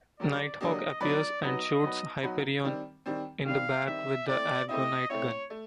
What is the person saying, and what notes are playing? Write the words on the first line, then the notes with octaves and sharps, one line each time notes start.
Nighthawk appears and shoots Hyperion in the back with the Argonite gun.
D3 F#3 A#3 D4 G4 D5
D3 F#3 A#3 D4 G4 D#5
F#3 B3 D#4 F#4 B4 D5
F#3 B3 D#4 F#4 B4 D#5
F#3 B3 D#4 F#4 B4
F#3 B3 D#4 F#4 B4
D#3 G3 C4
D#3 G3 C4
D#3 G3 C4 F5
D#3 G3 C4 E5
A3 C4 E4 D5
A3 C4 E4 D#5
A3 C4 E4 C#5
A3